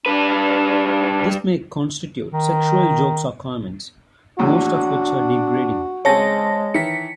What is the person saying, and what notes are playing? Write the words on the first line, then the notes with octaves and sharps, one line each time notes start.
This may constitute sexual jokes or comments, most of which are degrading.
G3 D4 B4
D#3
A#1 E2 A2 D4 F#4
C#3 G#3 C4 G#4 C#5 A5 A#6
D#3 E3 E4 B6 C#7